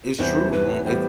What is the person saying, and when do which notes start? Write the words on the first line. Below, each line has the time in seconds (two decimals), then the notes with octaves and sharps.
It's true, man, it's
0.19 E2 C3 E3 G3 C5
0.52 B4
0.85 A2 E3 G3 B3 C5